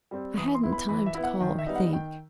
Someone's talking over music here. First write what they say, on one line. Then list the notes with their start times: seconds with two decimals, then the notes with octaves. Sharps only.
I hadn't time to call or think.
0.11 G3 C4
0.37 E3 D#6
0.55 C6
0.63 B3 E4
0.73 B5
0.89 E3 B5
1.06 E5
1.15 B3 E4
1.23 F#5
1.41 D#3
1.58 E5
1.67 G3 B3 D#4
1.76 F#5
1.93 D#3 G5